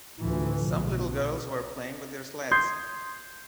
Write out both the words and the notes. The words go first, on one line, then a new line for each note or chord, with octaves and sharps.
Some little girls were playing with their sleds.
D2 A2 E3 F3
B1 B2
C6 D#6 G6 G#6 C7